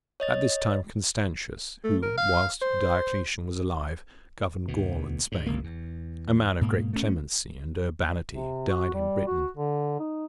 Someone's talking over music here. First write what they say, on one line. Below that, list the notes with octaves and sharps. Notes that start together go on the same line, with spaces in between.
At this time Constantius, who, whilst Diocletian was alive, governed Gaul and Spain, a man of great clemency and urbanity, died in Britain.
C#5 D#5 A6
A3
A#4
F5
C5
D2 B2
G#2
G1 C#2 A#3
E2
G#2 B2 A#3
A3 C#4
C3
F#4
G3
F#4
D3
D#4